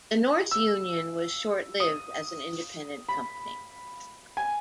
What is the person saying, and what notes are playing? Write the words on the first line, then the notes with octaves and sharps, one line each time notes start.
The North Union was short-lived as an independent company.
E6
D#6
B5
G#5